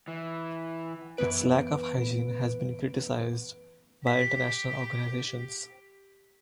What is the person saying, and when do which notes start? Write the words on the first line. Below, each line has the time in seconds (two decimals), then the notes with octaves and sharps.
Its lack of hygiene has been criticized by international organisations.
0.08 E3
1.17 F#2 E3 B3 B4 D7
4.07 G4 B6